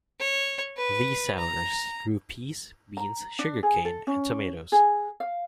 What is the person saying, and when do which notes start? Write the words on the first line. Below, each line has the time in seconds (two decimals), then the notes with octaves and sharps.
These settlers grew peas, beans, sugar cane, and tomatoes.
0.20 C#5
0.77 B4
1.38 A#5
2.97 A#5
3.39 D4
3.63 G#4
3.85 A4
4.07 C#4
4.72 G#4
5.20 F5